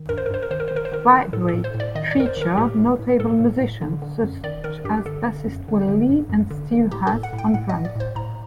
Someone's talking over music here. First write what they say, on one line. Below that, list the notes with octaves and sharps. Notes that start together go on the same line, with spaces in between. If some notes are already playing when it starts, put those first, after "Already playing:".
"Vibrate" featured notable musicians such as bassist Will Lee and Steve Hass on drums.
Already playing: D#3
G2 A#4
C5
A#4
G2 C5
A#4
D#3 C5
A#4
D#3 C5
A#4
C5
D#3 A#4
D#3
A2 A4
A4
A2
C5
A2
D5
D#3 D#5
D5
F#2 A#4
C5
D#3 A#4
A2 G4
A2
A2
A2 A4
A2
A2
D3
D3
F#2
D#3 D5
D#3 A#4
G2 G4
D3 A4
D3
F#2
D3
D3
G2
F#2
D3
D3
A2 G4
A4
A2
F#5
A2
G5
A2 F#5
D#5
A2
D5
A2 C5
A2 A#5